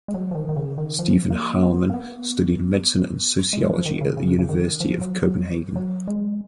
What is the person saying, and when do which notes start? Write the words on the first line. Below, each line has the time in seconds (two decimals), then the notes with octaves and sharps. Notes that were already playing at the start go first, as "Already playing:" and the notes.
Stephen Heilmann studied medicine and sociology at the University of Copenhagen.
0.08 G#3
0.14 F#3
0.31 F3
0.35 D#3
0.49 D#3
0.56 C#3
0.78 D#3
0.99 F3
1.30 A#3
1.63 B3
1.90 A#3
1.94 B3
3.53 G#3
3.69 F3
3.86 D#3
4.01 C#3
4.17 C#3
4.39 C#3
4.49 D#3
4.80 F3
5.01 F#3
5.23 F#3
5.76 F#3
6.08 G#3